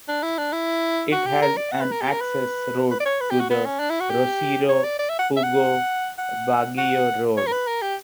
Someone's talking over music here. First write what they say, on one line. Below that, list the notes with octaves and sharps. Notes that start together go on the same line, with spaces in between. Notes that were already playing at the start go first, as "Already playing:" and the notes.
It has an access road to the Rosario-Pugo-Baguio Road.
D4
E4
D4
E4
F#4
G4
A#4
D5
F#5
B4
A#4
G4
A#4
B4
B4
D5
C#5
B4
G4
F#4
B3
C#4
D4
E4
F#4
G4
C#5
D5
D5
E5
F#5
E5
F#5
F#5
F#5
C#5
A#4
B4
A#4
G4